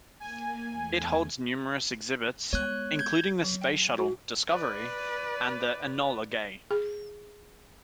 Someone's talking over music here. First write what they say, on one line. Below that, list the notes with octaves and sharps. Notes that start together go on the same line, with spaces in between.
It holds numerous exhibits, including the Space Shuttle "Discovery" and the "Enola Gay".
A#3 G#5
E2 A3
G#3 B3 C#5 F#6
G6 G#6
F#3
G5
F#4
B4 D5
G#4